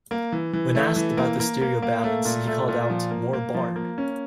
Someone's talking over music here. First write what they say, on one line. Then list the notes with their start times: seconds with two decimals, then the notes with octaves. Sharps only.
When asked about the stereo balance, he called out, More barn.
0.11 A#3
0.32 E3
0.53 E3
0.75 A3
0.96 E3
1.17 A#3
1.40 A#3
1.61 A#3
1.82 A#3
2.04 A3
2.25 A#2
2.47 A3
2.68 A#2
2.90 F3
3.11 A#3
3.33 A#3
3.54 F3
3.76 A#3
3.98 C#4